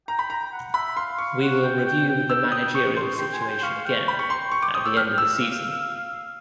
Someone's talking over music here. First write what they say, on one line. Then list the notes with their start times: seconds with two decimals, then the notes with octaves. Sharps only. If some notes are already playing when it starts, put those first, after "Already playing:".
We will review the managerial situation again at the end of the season.
0.08 G5 A#5
0.19 B5
0.30 A#5
0.52 F#5
0.74 E5 B5
0.97 F5 C6
1.18 C#6
1.41 F#5
1.63 G5
1.85 G5
2.08 G5
2.30 E6
2.52 D#6
2.75 C#6
2.97 C6
3.19 G5 C6
3.33 G#5
3.41 C6
3.48 G5
3.63 F5 C#6
3.85 G5
4.07 G5 B5
4.19 C#6
4.30 C6
4.52 C#6
4.63 D6
4.75 D#6
4.85 E6
4.97 F6
5.18 E6
5.33 E5
5.40 F5